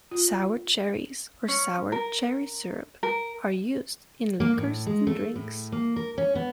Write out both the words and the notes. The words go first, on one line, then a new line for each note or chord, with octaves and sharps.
Sour cherries or sour cherry syrup are used in liqueurs and drinks.
F4
C#4
A#4
A#4
A#3
A2
G#3
A3
A2
A#3
A#4
C#4
B3